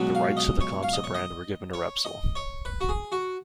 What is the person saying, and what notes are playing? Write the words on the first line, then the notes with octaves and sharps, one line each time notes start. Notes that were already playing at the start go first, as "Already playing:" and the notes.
The rights to the Campsa brand were given to Repsol.
Already playing: C#2 B2 F#3
F5
D#5
C#5
F5
D#5
C#5
D#5
C#5
D#5
C#5
B4
F#4
G#4
F#4